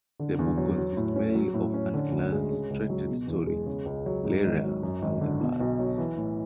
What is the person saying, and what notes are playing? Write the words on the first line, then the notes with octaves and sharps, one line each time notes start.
The book consists mainly of an illustrated short story, "Lyra and the Birds".
D3
E2
F#3
F#3
A2
C#4
F#3
A2
C#4
D3
D2
G#3
C#3
C#2
F#3
B2
E2
G#3
C#3
C#2
F#3
G#2
G#1
F#3
F#2
G#1
D3
B2
B1
F#3
E3
A2